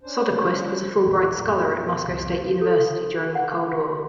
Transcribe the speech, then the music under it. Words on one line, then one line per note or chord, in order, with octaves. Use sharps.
Soderquist was a Fulbright Scholar at Moscow State University during the Cold War.
C#4 D4 C5
G3
A1 E2 A#2 D#4
F#2 B2 A3
C2 F2 F4
A4
F#5